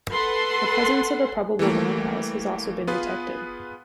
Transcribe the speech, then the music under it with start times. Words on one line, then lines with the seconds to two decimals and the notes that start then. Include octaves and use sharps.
The presence of a probable roundhouse has also been detected.
0.12 A4 B4 F#5 C6
1.59 E3 G3 A3 A#3
2.87 B3 F4 G#4 B4